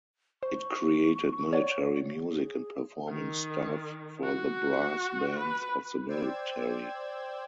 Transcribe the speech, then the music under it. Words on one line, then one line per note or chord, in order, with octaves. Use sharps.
It created military music and performing staff for the brass bands of the military.
C5 C#6
C#5 D5 F#5
G#4
D#3
F#4
B4
C5 D5 G5 E6 G#6